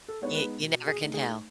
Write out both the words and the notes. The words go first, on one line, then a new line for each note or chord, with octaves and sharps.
you you never can tell.
A4
G#3 B3 D#4 C#5
B4
B2
G#4
A3 D#4
G#4